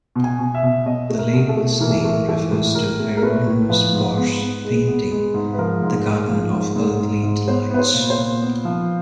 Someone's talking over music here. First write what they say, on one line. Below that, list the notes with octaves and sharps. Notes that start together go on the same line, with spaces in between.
The label's name refers to Hieronymous Bosch's painting The Garden of Earthly Delights.
B2
G#5
B2
E5
B2
B2 D#5
A3
A#4
B2
A4
A3
E3 A#4
A4
A3 A#4
E3 A4
A2
A2 A#4
A3
A#4
A3 B4
A2
F3 B4
G#2
B3
B3
G#3
B3
G#3
G#2
B4
F3 A#4
G#2
G#2
F3
G#2
G#2
G#2
G#2
B3 C5
B3 B4
C5
A#2
C5
A#2
B3
F3